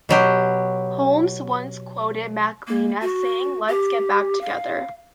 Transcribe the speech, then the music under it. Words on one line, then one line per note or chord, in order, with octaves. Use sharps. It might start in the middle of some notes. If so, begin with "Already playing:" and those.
Holmes once quoted MacLean as saying, Let's get back together.
B2 F#3 G4
A#3
F#4
G4
F5